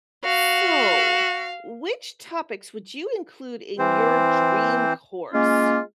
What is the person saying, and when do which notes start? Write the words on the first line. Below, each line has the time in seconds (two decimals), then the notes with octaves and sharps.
So, which topics would you include in your dream course?
0.25 F#4 F5
3.79 E3 C4 C5
5.33 G#3 A#3 C#4 F4